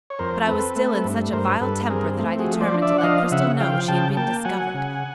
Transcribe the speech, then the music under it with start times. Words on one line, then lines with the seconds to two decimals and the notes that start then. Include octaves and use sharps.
But I was still in such a vile temper that I determined to let Cristel know she had been discovered.
0.10 C#5
0.19 F2 A#4 C5
0.47 C4 A4 B4
0.76 A3
1.04 G2
1.32 G2 A#4 C5
1.61 G2 A4 B4
1.89 C4 G#4 A#4
2.19 A3
2.39 F#4 G#4
2.47 F3
2.61 C5 D5
2.74 D4
2.82 D5 E5
2.98 F#5
3.03 F3 D#5 F5
3.31 C#3 E5 F#5
3.60 F3 F5 G5
3.88 C#3 G5 A5
4.17 A#3 G5 A5
4.45 F#3 F#5 G#5
4.74 C#3